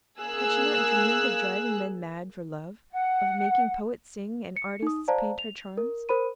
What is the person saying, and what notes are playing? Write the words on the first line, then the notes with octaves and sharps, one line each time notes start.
Had she not dreamed of driving men mad for love, of making poets sing, and artists paint her charms?
A#3 G#4 E6 F#6
F#5
C#7
D#4 D#6
C5 D5 F5 A5 A#5
F7
A#4
A#4 C5 B5 D#7